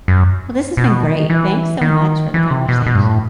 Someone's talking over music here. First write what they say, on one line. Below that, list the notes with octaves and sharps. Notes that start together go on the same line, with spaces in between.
Well, this has been great, thanks so much for the conversation.
F#2
B2
D#3
E3
D#3
E3
C3
B2
B2
G2
A2